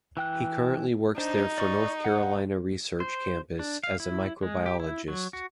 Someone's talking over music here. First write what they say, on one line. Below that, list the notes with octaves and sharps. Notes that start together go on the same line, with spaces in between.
He currently works there for North Carolina Research Campus as a microbiologist.
E3 G5 F#6
D4 D#4 C5
D5 C#6
F#5
C5
D4
F5
E4
G#3
G4
E4
F#3
F#4